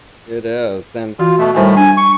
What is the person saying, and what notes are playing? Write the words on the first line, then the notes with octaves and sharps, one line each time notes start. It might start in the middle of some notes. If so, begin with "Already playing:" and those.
It is, and
E3 F4 F#4
B2 A3
A2 D#3 G3 A3 C5 G#5
D4 G#5
C#6